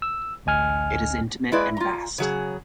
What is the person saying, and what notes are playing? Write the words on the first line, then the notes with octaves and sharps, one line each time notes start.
It is intimate and vast.
E6
A1 D2 D#5 G#5 F6
G#3 A#3 E4 G#4 B4 D5
F4 A#5
C#3 F#3 G#4